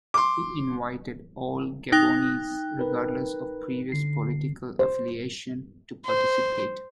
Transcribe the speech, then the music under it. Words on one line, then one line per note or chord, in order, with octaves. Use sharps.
He invited all Gabonese, regardless of previous political affiliation, to participate.
C6 D6
D#4 G5 F#6
A#4 B4
D3 C7
C5
C5